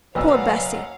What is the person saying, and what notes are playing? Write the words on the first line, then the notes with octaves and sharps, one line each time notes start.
'Poor Bessy!
F#1 B1 B4 C#5 D5 F5 F#5 E6